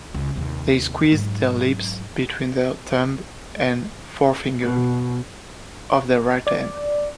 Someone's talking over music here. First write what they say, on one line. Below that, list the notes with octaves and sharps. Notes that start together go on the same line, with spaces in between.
They squeezed their lips between their thumb and forefinger of their right hand.
C#2
D#2 C3
G#2 F#3
B2
D5